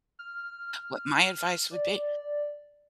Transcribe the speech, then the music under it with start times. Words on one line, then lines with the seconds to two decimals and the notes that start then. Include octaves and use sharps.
What my advice would be,
0.19 F6
1.71 D5